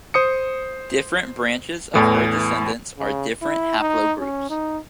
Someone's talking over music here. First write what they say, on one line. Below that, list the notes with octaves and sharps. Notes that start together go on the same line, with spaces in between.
Different branches of her descendants are different haplogroups.
C5 D#6 C#7
E2 A2 E3
C#3
E4
D#4
C#4
D#4